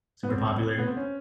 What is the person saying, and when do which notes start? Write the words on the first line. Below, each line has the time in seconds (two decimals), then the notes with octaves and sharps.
Super popular.
0.23 B3
0.29 C4
0.78 B3
0.87 C4
0.97 C#4